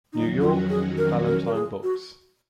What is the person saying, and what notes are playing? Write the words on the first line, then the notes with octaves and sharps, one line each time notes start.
New York: Ballantine Books.
F2 D#3 F#3 C#4 D#4 F#4
F4
G#4
A#4
A#4
A#4
G#4
F#4